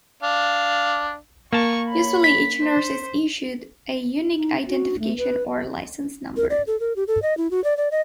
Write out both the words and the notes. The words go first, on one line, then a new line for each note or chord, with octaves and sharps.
Usually each nurse is issued a unique identification or license number.
D4 F5
A#3 A5 C#6
C#5 B5
B6
C5
D#4
F#4
A3
B4
A#4
D5
A4
A#4
G4
A4
D#5
E4
F#4
D5
D5
D#5